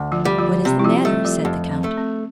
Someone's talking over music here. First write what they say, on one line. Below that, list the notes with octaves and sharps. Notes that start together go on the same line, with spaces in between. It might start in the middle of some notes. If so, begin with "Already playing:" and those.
"What is the matter?" said the count.
Already playing: D2
F3 F4
G3
F3 F4
C3
E4
F3 F4
G3 A3 G4
F3 F4
F2
C4
A3
C4